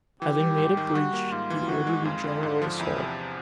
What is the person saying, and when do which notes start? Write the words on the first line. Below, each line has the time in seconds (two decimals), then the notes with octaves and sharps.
Having made a breach, he ordered a general assault.
0.22 E3 G4
0.40 G3
0.58 G#2
0.77 D#3
0.95 G3 F#4
1.13 A#3
1.32 G#2 F4
1.50 E3
1.68 D#3 F#4
1.87 G#3
2.05 F2 F4
2.23 D3
2.43 G#2
2.62 F3
2.79 E2 E4
2.98 C3